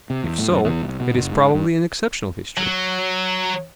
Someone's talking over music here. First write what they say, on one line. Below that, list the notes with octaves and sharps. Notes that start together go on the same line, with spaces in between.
If so, it is probably an exceptional history.
C3
E2
A2
F#2
E2
C2
B2
F#1
G#2
G2
F#3